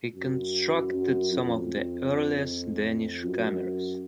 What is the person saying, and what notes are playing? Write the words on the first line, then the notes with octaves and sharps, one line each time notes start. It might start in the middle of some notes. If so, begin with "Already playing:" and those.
He constructed some of the earliest Danish cameras.
F#2
F#2
F2
F#2